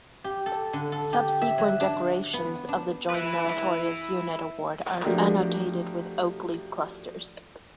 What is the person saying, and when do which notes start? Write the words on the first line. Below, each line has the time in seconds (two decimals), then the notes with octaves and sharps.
Subsequent decorations of the Joint Meritorious Unit Award are annotated with oak leaf clusters.
0.24 G4
0.46 A4
0.73 D3
0.92 A4
1.13 G4
1.41 E5
1.58 F#3
1.80 D4
2.33 B3
2.69 D4
3.10 E4 B4
5.04 F3 A3 D4 F#4 G4 A#4